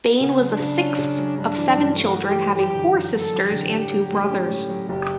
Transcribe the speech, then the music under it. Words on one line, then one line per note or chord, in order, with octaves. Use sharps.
Bain was the sixth of seven children, having four sisters and two brothers.
C#3 B3
F#3
D4
C#3
C#4
C#3
F#3
G2 D4
E3
G2
A3 F#4
G2
G4
E3
F#2 G4
D3
F#2
F#3 A4
F#2
G4
D3
A2
F#3
A2
C#4
A2
F#3
F#1 G4